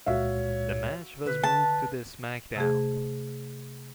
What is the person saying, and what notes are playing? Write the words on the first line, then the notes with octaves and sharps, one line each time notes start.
The match was moved to the SmackDown!
C#2 A#2 G#3 F#4 C#5 E5 F5
D3 B4
A5
C3 A3 G#4